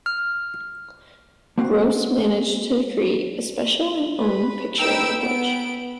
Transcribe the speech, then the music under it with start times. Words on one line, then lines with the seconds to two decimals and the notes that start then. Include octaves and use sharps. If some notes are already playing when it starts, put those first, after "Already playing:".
Gross managed to create a special and own picture language.
0.06 F6
1.58 A#3 C4 F#4 F5 F#5
4.20 B4
4.78 D#4 B4 G5 E6 D7
5.19 B3 D7